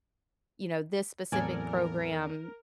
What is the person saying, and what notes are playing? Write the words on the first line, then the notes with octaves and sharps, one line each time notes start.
you know, "this specific program
E2 A2 F#3 C4 A4 A#4 D5 G#5